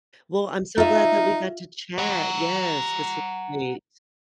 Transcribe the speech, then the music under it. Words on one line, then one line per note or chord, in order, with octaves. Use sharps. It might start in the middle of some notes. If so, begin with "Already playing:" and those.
Well, I'm so glad that we got to chat. Yes, this was great.
D#4 F4 E5
F#5 A#5